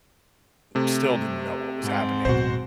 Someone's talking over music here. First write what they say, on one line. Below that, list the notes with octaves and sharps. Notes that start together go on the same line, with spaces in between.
still didn't know what was happening.
C3 A3
G#2 C4
D1 B2 F#4 C5